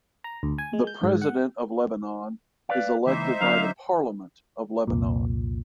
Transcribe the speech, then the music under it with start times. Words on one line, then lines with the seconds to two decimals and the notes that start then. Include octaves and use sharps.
The President of Lebanon is elected by the Parliament of Lebanon.
0.24 A#5
0.43 D2
0.58 G#5
0.73 G#3
0.87 G6
1.04 G#2
1.22 F#5
2.69 B4 D5 F5
3.07 C#2 E3 A#3 D#4 C5 E5
3.41 D3 F#3 C#4 F5
4.87 C2 F2 A#2